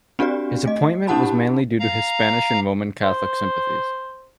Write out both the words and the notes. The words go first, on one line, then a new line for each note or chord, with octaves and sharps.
His appointment was mainly due to his Spanish and Roman Catholic sympathies.
C4 D4 F#4 G4 D5
A3 D#5
D4 E4 G4 F#5 A5 B5
F5 A#5
C5